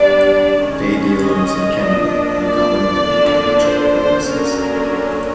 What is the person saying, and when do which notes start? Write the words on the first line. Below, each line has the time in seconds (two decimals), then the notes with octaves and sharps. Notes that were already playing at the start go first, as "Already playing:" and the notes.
Payday loans in Canada are governed by the individual provinces.
Already playing: G3 B3 D4 D5
0.61 D#3 G#3 C#4
1.22 D#5
1.83 F3 A#3 D4
2.44 D5
3.05 D3 F3 A#3 D4
3.65 C5
3.96 C5
4.26 D3 F#3 A#3 C#4 A#4